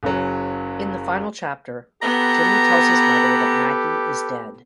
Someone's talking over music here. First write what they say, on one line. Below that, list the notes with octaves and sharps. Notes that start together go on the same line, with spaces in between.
In the final chapter, Jimmie tells his mother that Maggie is dead.
F#1 C#3 F#3
B3 G4 A4 B4 A#5